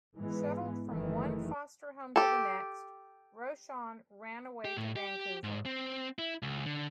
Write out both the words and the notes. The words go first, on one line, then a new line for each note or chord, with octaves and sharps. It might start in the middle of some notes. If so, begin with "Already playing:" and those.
Shuttled from one foster home to the next, Rochon ran away to Vancouver.
G#2 E3 G#3 B3
F#1 D#3 E3 A3
G4 A4
G4
A2
G4
G#2
C4
E4
C#2
D3